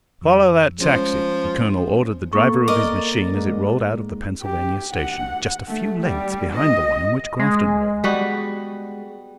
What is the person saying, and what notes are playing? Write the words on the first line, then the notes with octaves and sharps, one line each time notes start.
"Follow that taxi," the colonel ordered the driver of his machine as it rolled out of the Pennsylvania station, just a few lengths behind the one in which Grafton rode.
F2 F3
F3 G3 G#3 C#4
B2 A#3 A4 C#6
A#4 D5 D#5 D6
G#2
G4
F#5
A3
G3
D#5
G#3
G3 B3 F#4